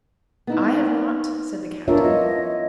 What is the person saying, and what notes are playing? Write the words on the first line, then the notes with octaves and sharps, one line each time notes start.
"I have not," said the Captain.
B3 D#4 E4
E3 B3 D4 F4 A#4 C#5 E5
D#5